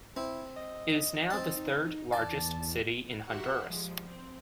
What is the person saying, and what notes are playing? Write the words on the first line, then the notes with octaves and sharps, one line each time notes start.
It is now the third-largest city in Honduras.
C4 E4
D#5
C4 D#4 A5
E2 D5 A5
F#4 G4 A#4 E5 F#5 C6
F3 G3 G#3
C4